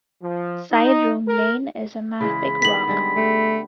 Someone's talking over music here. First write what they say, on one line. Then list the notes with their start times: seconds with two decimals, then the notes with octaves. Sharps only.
Sideromelane is a mafic rock.
0.22 F3
0.72 D#4
1.27 A#4
2.21 C#3 E3 G#3 B5
2.62 D#3 B3 B6 F#7
2.88 D3 G3 G#3
3.16 A3 G4